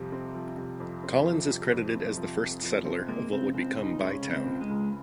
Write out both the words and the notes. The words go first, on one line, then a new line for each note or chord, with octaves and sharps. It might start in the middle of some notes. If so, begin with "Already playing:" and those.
Collins is credited as the first settler of what would become Bytown.
Already playing: F2 C3 F3 G3
C4
F3
C3
F2
C4
F3
C3
F2
C4
F3
C3
F2
C4
G#3 A#3
C#3 C4
C#2 C4
C#2 D#4
G#3 C#4
C#3
C4
C#2
G#3
C#2